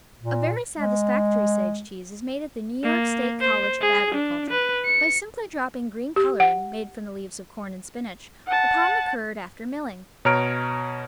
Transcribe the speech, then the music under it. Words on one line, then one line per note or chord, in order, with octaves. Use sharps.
A very satisfactory Sage cheese is made at the New York State College of Agriculture by simply dropping green coloring, made from the leaves of corn and spinach, upon the curd, after milling.
A#2
G#3
A#3
C5
G#4
D4
B4
C#7
G4
F#5
F#5 A5
B2 C#5 A#5 F6 D7